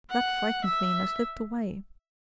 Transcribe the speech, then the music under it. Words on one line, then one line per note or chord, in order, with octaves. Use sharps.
That frightened me, and I slipped away.
F#5
E5